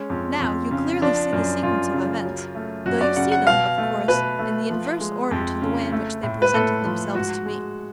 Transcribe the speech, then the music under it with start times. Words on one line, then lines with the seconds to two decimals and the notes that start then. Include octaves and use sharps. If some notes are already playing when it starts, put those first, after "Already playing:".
Now you clearly see the sequence of events, though you see them, of course, in the inverse order to the way in which they presented themselves to me.
Already playing: G#3 C#4
0.10 F2
0.40 F2
0.71 C#3
1.02 F3 D4
1.33 F#2
1.63 F#2 F4
1.94 C#3
2.25 F#3
2.55 A3
2.86 F#2 F#4
3.01 D5
3.16 C#3 F#5
3.32 F#5
3.47 B2 F5
3.78 A3
4.08 B2 B4
4.39 A3
4.70 F3
5.01 G#3
5.31 F2
5.62 C#3
5.92 A3
6.23 A2
6.42 B4
6.54 A2 A4
6.85 F3
7.15 G#2 F#4
7.46 G#3